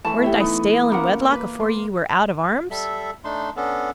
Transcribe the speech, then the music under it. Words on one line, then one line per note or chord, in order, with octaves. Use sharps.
Weren't I stale in wedlock afore ye were out of arms?
E3 A3 A5
G4 C#5 E5
B3 D#4
A#3 C#4 A#4 F#5
B4
C6
G3 A4 E5
A3 D4 D#4 C6
B3 C#4 D4 A4